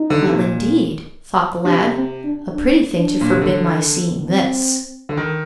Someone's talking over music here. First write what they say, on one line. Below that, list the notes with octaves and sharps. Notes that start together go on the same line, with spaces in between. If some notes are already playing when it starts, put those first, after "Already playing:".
Well, indeed! thought the lad; a pretty thing to forbid my seeing this.
Already playing: D#4
D3
C3
A#2
C3 D4
C4
D4
D4
D4
A#2
C3
D3
C4
D3
D#3